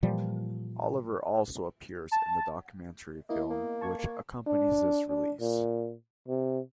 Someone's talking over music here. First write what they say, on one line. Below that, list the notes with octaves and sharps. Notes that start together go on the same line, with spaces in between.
Oliver also appears in the documentary film which accompanies this release.
A#2 E3 F3 G3
A5
A#3 B3 E4 D#5
A#3
A5 C#6 G#6
A#3
D4
D4
A#2
C3